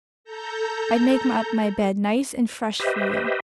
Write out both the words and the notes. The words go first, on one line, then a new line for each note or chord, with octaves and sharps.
I'd make up my bed nice and fresh for you.
A4 A#5 G6
G4 B4 C5 D#5 E5